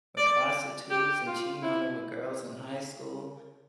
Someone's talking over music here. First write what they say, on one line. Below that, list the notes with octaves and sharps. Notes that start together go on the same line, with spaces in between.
with prostitutes and cheating on her with girls in high school,
D5
G4
F4
E4